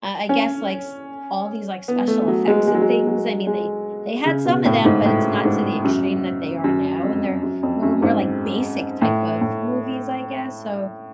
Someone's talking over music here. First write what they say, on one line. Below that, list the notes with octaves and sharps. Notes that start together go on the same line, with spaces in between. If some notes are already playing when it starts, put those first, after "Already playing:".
uh, I guess like s all these, like, special effects and things. I mean, they they had some of 'em, but it's not to the extreme that they are now, and they're they were more like basic type of movies, I guess, so
C#4
B3
A3
F#3
G#3
G#3
F#3
G#3
F#3
G#3
C#3
B2
A2
G#2
A2
G#2
F#2
F#2
F2
F#2
F2
F#2
G#2
A2
A2